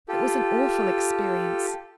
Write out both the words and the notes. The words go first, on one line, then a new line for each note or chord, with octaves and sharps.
It was an awful experience.
F4 G4 A4